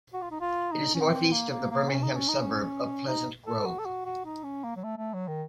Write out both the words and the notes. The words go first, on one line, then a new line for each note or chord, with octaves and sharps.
It is northeast of the Birmingham suburb of Pleasant Grove.
F#4
F4
D#4
F4
D#4
C#4
C4
A#3
A#3
A#3
C#4
D#4
C#4
D#4
C#4
D#4
A4
F#4
A4
F#4
F#4
D#4
C#4
A#3
F#3
A3
A3
F#3
D#3